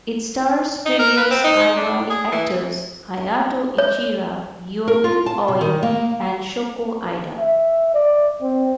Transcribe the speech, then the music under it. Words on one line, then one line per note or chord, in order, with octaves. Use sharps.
It stars previous Iwai actors Hayato Ichihara, Yu Aoi and Shoko Aida.
D#4
A#4
B4
C4
D#4
D4
G#4
E3
C#5
A#4
F4
A5
C3
D#3
A#3
E5
D5
C4